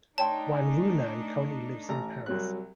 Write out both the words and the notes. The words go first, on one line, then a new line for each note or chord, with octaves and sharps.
Wan Runnan currently lives in Paris.
A3 D4 D#4 C#5 G5 A5 C6
G#5
A1 A#5
C2 F#3 F#6